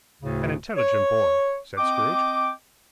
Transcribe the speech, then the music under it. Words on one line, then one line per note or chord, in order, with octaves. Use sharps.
'An intelligent boy!' said Scrooge.
D2 A2 C#3
C#5
C4 D#5 G5 D6